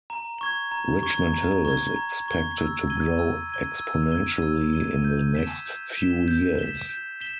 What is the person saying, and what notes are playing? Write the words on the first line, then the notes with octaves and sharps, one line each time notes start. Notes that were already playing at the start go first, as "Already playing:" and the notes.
Richmond Hill is expected to grow exponentially in the next few years.
A#5
C#6 G#6
A#5
C#6 G#6
A#5
C#6 G#6
A#5
C#6 G#6
E6
G#6 D#7 G7
E6
G#6 D#7 G7
E6
G#6 D#7 G7
E6
G#6 D#7 G7
G6
B6 E7 G7
G6
B6 E7 G7
G6
B6 E7 G7
G6
B6 E7 G7